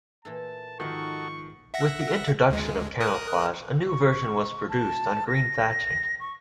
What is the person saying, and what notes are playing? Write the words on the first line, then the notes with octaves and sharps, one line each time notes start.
With the introduction of camouflage, a new version was produced on green thatching.
A#2 E3 A4 A5
G#2 D#3 F3 D#4 F#4 A4 E5 C#6
E5 F#5 A#6
D2 G#3
A#4 D#6 F#6
C#6
A5
A#6
C#6